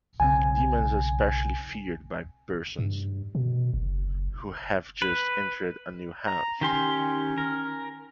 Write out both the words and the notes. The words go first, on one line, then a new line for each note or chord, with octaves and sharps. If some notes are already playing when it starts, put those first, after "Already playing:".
Demons are especially feared by persons who have just entered a new house.
B1 C#3 C4 G#5
G2
B2
F#1
B4
A#5
D#3 C#4 G4 C6
A#4